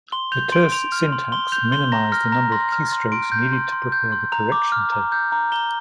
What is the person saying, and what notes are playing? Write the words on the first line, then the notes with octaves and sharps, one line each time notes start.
The terse syntax minimized the number of keystrokes needed to prepare the correction tape.
C6 G7
G6 F7
C6 D7
C6 F7
F6
C6
C6 G7
G6 F7
C6 G7
A#5 A#6
F6 A#6
A#5 A#6
C6 A#6
F6
C6
C6 D7
G6
C6
C6
G6
C6
A#5 F7
D6
F6
A#5
G6
A#5
A#5 G7